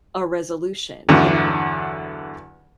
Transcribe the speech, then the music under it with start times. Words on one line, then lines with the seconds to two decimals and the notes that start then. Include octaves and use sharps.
a resolution, you know?
1.09 E2 G2 D3 F#3